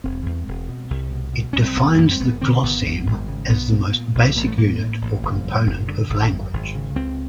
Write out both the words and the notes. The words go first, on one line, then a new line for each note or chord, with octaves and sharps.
It defines the "glosseme" as the most basic unit or component of language.
E1 C4
E2
E1
B2
C2
B2
B2
C2 C#4
C4
F#1 B3
F#2 A#3
C4
F#1 B3
D3 C4
G#1 B3
F#2
G#1
C#3
B1 B3
A#2
A#2
B1
A1 A#3
A3
A2 A#3
A2
A1
F#1
F#2
F#1
D3
G#1
F#2
G#1
C#3
C#2 C4